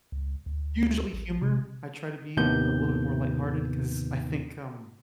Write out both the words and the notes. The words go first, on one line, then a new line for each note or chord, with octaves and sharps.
Usually, humor. I try to be a little bit more lighthearted 'cause I think, um,
C#2
D2
A1
C3
D#2 A2 C3 D#3 B3 G6